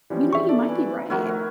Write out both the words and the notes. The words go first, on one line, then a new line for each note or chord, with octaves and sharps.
You know, you might be right.
E3 F3 G3 C#4
E5 C#6
A4 D5
E3
D#3 F3 A3 E4 F#4 A#4